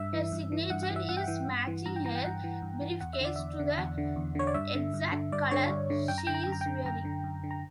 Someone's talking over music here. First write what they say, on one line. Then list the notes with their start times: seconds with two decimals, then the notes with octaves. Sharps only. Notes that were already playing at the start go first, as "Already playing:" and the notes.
Her signature is matching her briefcase to the exact color she is wearing.
Already playing: G2 E5
0.13 E3
0.32 G2
0.52 E3
0.70 G2 F#5
0.83 F#5
0.90 E3
0.96 E5
1.08 G2 F#5
1.17 G5
1.24 E3 F#5
1.47 G2
1.67 E3
1.86 G2 A#5
1.96 G5
2.04 E3 A#5
2.15 G5
2.24 G2 F#5
2.44 E3
2.62 G2
2.81 E3
3.01 E2 F#5
3.13 E5
3.20 D3 D5
3.36 E2 E5
3.59 D3
3.78 E2 F#5
3.98 D3
4.16 E2
4.35 D3 C#5
4.47 D5
4.54 G2 E5
4.75 D3
4.94 G2
5.12 D3
5.32 G2 D5
5.51 D3 C#5
5.70 G2
5.90 D3
6.08 F#2 G5
6.18 A#5
6.27 D3 G5
6.34 A#5
6.44 F#2 G5
6.52 A#5
6.61 D3 G5
6.85 F#2 A#5
7.05 D3
7.24 F#2
7.44 D3
7.51 A#5